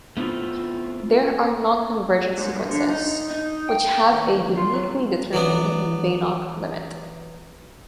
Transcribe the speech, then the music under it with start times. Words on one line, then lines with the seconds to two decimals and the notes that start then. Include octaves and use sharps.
There are non-convergent sequences which have a uniquely determined Banach limit.
0.17 A3 B3 C4 E4 F4
2.37 G#2
2.55 G2
2.70 D3
2.90 D#4
3.31 D#4
3.69 G5
4.11 D#2
4.57 F4
4.74 F#3
5.33 E3 F#3 B3 D4